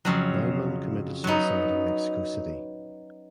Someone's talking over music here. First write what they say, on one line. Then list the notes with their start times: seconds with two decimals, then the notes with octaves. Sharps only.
Neumann committed suicide in Mexico City.
0.05 F2 C#3 F#3
1.24 F#3 B3 D#4